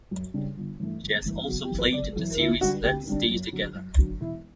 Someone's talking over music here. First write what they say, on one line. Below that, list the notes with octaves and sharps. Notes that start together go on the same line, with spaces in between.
She has also played in the series "Let's Stay Together".
F#2
C#3 G3 D4
G1
G2 E3 A3
G1
G2 E3 A3
F#1 F#4
G4
F#2 E3
B4
F#1 D5
F#2 E3
D2 E4
D3 G3 D4 F#4
D2 G4
D3 G3 D4
F#2
D3 F#3
F#2
D3 F#3
E1 E4